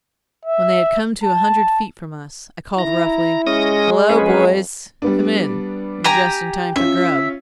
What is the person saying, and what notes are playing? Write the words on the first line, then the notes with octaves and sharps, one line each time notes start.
When they had come to a hundred feet from us, I called roughly, "Helloa, boys! come in. You're just in time for grub."
E5
A5
E4 A#5
G#3 C#4 D#6 A#6
F2 C#4 G#4 B4
G3 B3 D4
G4 G#5 A#5
C#4 F4 E5